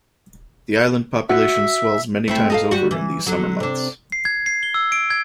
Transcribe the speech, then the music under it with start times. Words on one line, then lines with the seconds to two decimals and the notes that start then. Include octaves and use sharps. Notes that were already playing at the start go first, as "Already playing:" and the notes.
The island population swells many times over in the summer months.
1.29 F#4 E5
2.28 A3 C4 E4
2.50 D#4 A4 F5
2.71 G3 F#4
2.91 E3
3.26 D3 F#3
3.60 C3 D4
4.12 C7
4.25 G#6
4.46 C7
4.63 G7
4.74 E6
4.92 D7
5.10 G#6